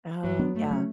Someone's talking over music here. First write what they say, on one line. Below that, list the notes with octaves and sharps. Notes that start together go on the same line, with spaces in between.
Oh, yeah.
G2 F#3
F#3 B3 D4
G2 A3
F#3 C#4